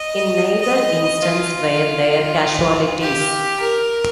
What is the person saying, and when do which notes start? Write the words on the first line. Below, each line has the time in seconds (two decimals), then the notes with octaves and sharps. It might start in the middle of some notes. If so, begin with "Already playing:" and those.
In neither instance were there casualties.
Already playing: D#5
0.61 D#5
1.22 F4
3.02 G4
3.61 A#4